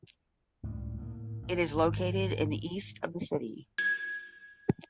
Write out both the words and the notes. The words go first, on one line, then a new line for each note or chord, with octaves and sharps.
It is located in the east of the city.
C#2 A2 G3
A2 A3 A#3
A1
G#1 G#2 C#3 F3
G#2 B2 E3
G#6